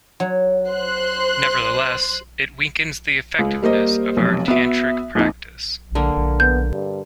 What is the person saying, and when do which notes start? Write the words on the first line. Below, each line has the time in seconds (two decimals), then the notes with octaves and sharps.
Nevertheless, it weakens the effectiveness of our tantric practice.
0.20 F#3
0.68 C5 C6 F#6
3.39 C#2
3.62 G3 A#3 C5 D#5
4.17 F1 B1 C3
4.48 B3 F#4 E5
5.15 A#1 F2 D#4
5.95 D3 A#3
6.40 B3 G6
6.72 G2